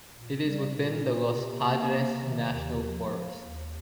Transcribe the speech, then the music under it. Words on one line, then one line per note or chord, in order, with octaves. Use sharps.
It is within the Los Padres National Forest.
A#2
G3
A#2
A#2
C3
A#3
C3
D#3
D#2
F3
A#3
D#2